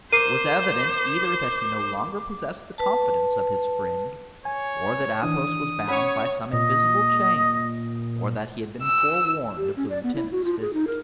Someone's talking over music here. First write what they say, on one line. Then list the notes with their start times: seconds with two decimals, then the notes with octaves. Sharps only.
It was evident either that he no longer possessed the confidence of his friend, or that Athos was bound by some invisible chain, or that he had been forewarned of the lieutenant's visit.
0.13 A#4 C5 D6 C7 D#7
2.78 B4 A5
4.45 C#5 G#5
5.23 D#3 E3 D4 D#6
5.89 C#4 C#5 F#5 B5
6.53 A#2 D#5
8.82 E6
9.57 G4
9.77 C#4
9.90 D5
10.03 B3
10.15 E4
10.32 F#4
10.44 F4
10.61 G#4
10.74 D#4
10.87 A#4